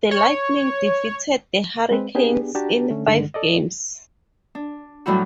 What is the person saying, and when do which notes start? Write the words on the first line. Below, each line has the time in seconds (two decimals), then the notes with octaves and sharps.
The Lightning defeated the Hurricanes in five games.
0.11 C#5
1.91 G#3 C4 B4
2.15 B3 D4 G4 G#4
2.55 D4 F#4 G4 A5 A#5
2.90 D3 A3 C#4
3.08 G2 D3 D#3 G#3
3.34 A4 D5 D#5
4.55 D4
5.06 A2 F#3 G3 E4 F#4